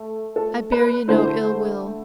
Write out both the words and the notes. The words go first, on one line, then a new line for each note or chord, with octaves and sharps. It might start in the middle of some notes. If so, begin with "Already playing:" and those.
I bear you no ill-will.
Already playing: A3
A4
B4
D3 A3 E4 C5